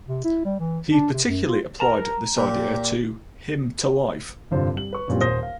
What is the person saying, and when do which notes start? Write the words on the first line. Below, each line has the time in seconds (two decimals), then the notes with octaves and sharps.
He particularly applied this idea to "Hymn to Life".
0.08 C3
0.24 E4
0.45 G3
0.59 E3
0.89 D4
1.12 C3
1.27 F#2
1.47 F4
1.80 A#4 A5 A#5
2.37 A#2 G4
4.51 F1 G2 D3 G3 F4 C5
4.75 G3 F#7
4.93 B4 C#6
5.08 F#2 A#2 G3 C4
5.21 D#1 C5 D#6 A#6 G7
5.43 F5